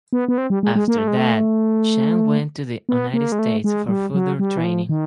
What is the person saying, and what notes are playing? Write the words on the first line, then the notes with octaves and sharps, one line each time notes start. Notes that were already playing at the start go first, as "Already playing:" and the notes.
After that, Chang went to the United States for further training.
B3
B3
C4
G3
G#3
G#3
A#3
A3
G#3
A3
B3
A#3
G#3
A3
G#3
G3
F#3
G3
E3
F3
D#3